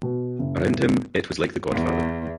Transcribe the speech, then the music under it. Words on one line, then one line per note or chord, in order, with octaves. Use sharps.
Around him it was like "The Godfather".
B2
F#1
E2